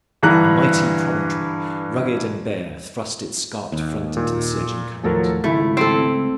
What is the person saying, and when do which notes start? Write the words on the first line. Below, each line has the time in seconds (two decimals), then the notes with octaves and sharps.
A mighty promontory, rugged and bare, thrust its scarped front into the surging current.
0.23 G2 D3 E3 A#5 F#6
3.72 D#2
4.17 A#2
5.03 D#2 A2 F3 F#3 A4 A#4
5.44 G#1 C#2 A3 E4
5.77 C4 A4